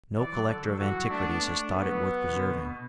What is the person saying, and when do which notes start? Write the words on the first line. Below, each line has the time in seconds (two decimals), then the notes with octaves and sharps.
No collector of antiquities has thought it worth preserving.
0.17 E3 D5
0.32 F#3
0.48 D3 A4
0.64 F#3
0.79 E3 F#4
0.95 F#3
1.10 A3 D4
1.26 B3
1.42 A3
1.72 A3 B3
1.88 F#3
2.28 B2
2.34 D3
2.50 B2
2.66 B2